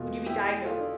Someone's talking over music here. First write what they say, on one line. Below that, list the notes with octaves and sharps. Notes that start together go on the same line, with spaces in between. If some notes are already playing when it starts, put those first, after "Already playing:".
Would you be diagnosing?
Already playing: E2 B2 A3 F4
E4 G4
F4 A4